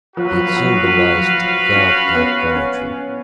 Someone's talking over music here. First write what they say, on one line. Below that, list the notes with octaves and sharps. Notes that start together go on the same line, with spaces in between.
It symbolized God and Country.
F3 F#4 B4 F5
F#3
F3
F#3
F3
F#3
F3
F#3
F3
F#3
F3
F#3
F3
C#4
B3
C#4